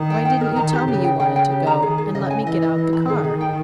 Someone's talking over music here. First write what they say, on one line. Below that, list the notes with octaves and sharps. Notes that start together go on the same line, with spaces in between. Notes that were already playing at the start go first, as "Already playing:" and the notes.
"Why didn't you tell me you wanted to go, and let me get out the car?"
Already playing: D#3
G5
G5
A#4
D#3 A#5
G4
C#3 G4
G5
C#3 G5
G5
G4
A#5
D#3 G#4
G#4
C#3 D#5
G#5
E3 D#5
D#5
D#5
B5
D#3 G#4
G#4
G5